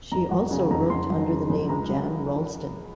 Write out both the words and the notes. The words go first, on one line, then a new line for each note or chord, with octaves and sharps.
She also wrote under the name Jan Ralston.
F2 A#5
F#3 F#5
C#3
F2 A#5
F2 C6
F#3
C#3
F2
C#2 A#5
F#3